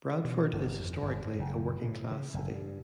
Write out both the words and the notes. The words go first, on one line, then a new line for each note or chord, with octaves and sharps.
Bradford is historically a working class city.
B2
G1
F2
G1
G#2
F#1
A2
C#3
F#1
G2